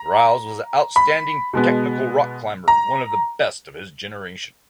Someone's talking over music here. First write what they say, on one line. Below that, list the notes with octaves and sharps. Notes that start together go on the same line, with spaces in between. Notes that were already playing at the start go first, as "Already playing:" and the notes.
Rouse was an outstanding technical rock climber, one of the best of his generation.
Already playing: A#5
B5
B2 G#3 B3
A#5